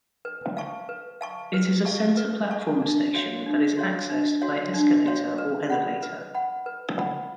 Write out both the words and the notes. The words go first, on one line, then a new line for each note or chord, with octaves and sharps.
It is a center-platform station that is accessed by escalator or elevator.
B4
F5 A5 C#6
B4
F5 A5 C#6
B4
F5 A5 C#6
B4
F5 A5 C#6
D4
F#4 C#5 F5
D4
F#4 C#5 F5
D4
F#4 C#5 F5
D4
F#4 C#5 F5
B4
F#5 B5
B4
F#5 B5
B4
F#5 B5